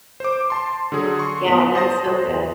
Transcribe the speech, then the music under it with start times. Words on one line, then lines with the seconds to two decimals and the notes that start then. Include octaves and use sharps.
Yeah, that's so good.
0.20 C5 D6
0.50 A5 C6
0.92 D3 F#3 G#4
1.19 C6 C#6
1.48 B3
1.75 C5 A5 C6 D#6 A6 A#6